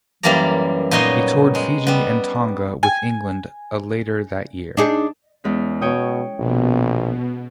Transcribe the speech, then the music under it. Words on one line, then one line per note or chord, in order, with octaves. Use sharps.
He toured Fiji and Tonga with England A later that year.
F#2 E3 G3 A#3 D5 A#5
A#2 B3 D#4 C#5 D#5 C6
G#3
G3 B3
G#5
D4 D#4 G#4
E2 G#3 C#4
B2 C#5 G5 D#6
A#1 B2